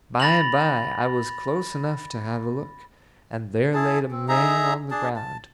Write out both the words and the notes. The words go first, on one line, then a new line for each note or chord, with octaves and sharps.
By and by I was close enough to have a look, and there laid a man on the ground.
B5 A6 A#6 F7 F#7
E4 G#4 A5
C4
D#4 G#4 E5 A#5
D4 G#4 A5
A5